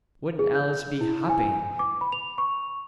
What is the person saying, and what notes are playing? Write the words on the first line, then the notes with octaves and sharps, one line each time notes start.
Wouldn't Alice be hopping!
G#4
G6
E4
G#5
D6
B5
F7
C#6